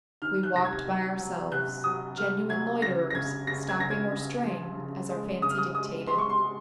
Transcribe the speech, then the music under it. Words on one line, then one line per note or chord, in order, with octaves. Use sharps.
We walked by ourselves, genuine loiterers stopping or straying as our fancies dictated.
D#3 F6
F#6
C3 A#6
G#6
F#3
F#3
C3 F#6
F#3 D#6
C3 F6
F#3 G#6
C#3 A#6
A#6
C#3 G#6
C#3 A#6
G#6
C#3 A#6
G#6
C#3
F3
C#3
G#3
C#3 D#6
F6
D#6
G#3 D#6
G#3 C6
C#6
C6
G#3